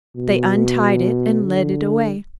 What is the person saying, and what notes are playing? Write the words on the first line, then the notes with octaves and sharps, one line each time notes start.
They untied it, and led it away.
B2
D3